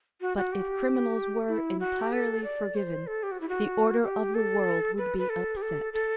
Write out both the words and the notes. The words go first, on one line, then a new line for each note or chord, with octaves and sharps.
But if criminals were entirely forgiven, the order of the world would be upset.
F#4
F#4
G4
E4
F#4
G4
A4
D5
C5
A4
G4
F#4
E4
F#4
G4
A4
B4
B4
A4
G4
A4
A4